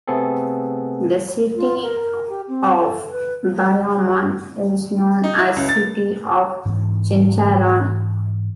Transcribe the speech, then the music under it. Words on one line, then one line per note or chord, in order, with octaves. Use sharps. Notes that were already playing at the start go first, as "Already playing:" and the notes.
The city of Bayamon is known as "City of Chicharron".
C3 A3 B3 C4 G#4 A4
F4
A#4
A#4
G4
C4
A4
B4
D#4
E4
C#2
A6
G#2 E3 B3